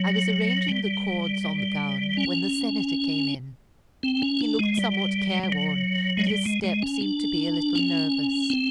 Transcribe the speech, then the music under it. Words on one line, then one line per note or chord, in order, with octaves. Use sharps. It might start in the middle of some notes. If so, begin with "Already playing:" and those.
I was arranging the cords on the gown when the Senator came in; he looked somewhat careworn, and his step seemed to be a little nervous.
Already playing: F#3
G3
C#4
C4
C#4
D4
G#3
G3
G3
F#3
G#3
G3
G#3
G#3
C#4
D4
C#4
C4